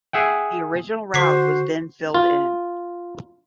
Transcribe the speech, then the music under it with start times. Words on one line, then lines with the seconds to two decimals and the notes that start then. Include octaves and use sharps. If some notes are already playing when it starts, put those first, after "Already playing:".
The original route was then filled in.
0.13 G#4 E5 F#5 G5
1.14 D3 F#4 C5 D6 B6 C7
2.15 F4